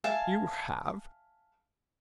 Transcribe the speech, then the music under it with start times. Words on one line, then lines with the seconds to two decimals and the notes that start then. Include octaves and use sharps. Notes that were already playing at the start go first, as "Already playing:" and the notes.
"You have?"
0.04 E5 F5 G#5 A5